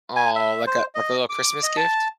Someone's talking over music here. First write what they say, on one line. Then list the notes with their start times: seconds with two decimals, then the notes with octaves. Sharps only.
Aw, like a like a little Christmas gift?
0.16 G#5
0.36 E5
0.67 C5
0.95 D#5
1.29 D6
1.63 D#5
1.77 A5